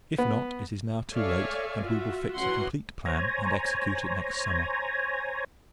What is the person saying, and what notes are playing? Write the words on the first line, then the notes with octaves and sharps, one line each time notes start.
If not, it is now too late; and we will fix a complete plan, and execute it next summer.
B3
A4 C#5 D5 E5 F5 G#5
F4 F#4 E5
E3 F#3 C#4 F#4 F#5 C6
C5 C#5 G#5 A#5